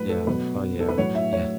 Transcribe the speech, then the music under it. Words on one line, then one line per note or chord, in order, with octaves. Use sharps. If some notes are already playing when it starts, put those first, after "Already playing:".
Yeah. Oh, yeah. Yeah.
Already playing: A2 F#3 B4
A4
B2 F#3 B4
A4
B4
A2 F#3 C#5
E5
C#5